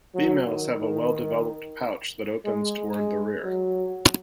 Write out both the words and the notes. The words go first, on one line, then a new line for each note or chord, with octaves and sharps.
Females have a well-developed pouch that opens toward the rear.
F#3
D#3
D#3
G#3
G#3
F#3